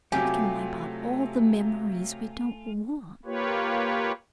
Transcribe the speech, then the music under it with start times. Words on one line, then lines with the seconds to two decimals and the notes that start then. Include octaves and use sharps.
We can wipe out all the memories we don't want.
0.12 C3 F#3 A3 F4 G4 G#5
3.25 A#3 F4 G4 B4 C#5